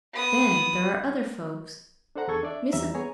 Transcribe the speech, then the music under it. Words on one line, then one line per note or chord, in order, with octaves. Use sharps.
Then there are other folks--Mrs.
B3 D#6
D4 A4 C5 F#5 A#5
E2 G#4 A4 C#6 G#6
D4 D5 E5
E2 E3 G3 E5 A#5
B3 G#4 C#5 G#5 A#5